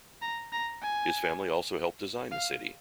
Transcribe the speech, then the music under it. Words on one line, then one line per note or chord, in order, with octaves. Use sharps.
His family also helped design the city.
A#5
A#5
G#5
F5